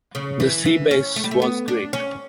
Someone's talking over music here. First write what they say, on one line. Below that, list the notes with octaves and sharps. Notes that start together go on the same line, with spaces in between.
That seabass was great.
C#3
E3
E3
C#4
A3
G3
A3
B3
D4
C#4